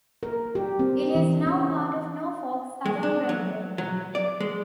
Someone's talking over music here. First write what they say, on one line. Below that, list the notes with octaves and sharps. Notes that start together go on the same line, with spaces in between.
It is now part of Norfolk Southern Railway.
A#4
G4
C4
E3
C#4
G#3
D4
F#3
F#3
D5
G#3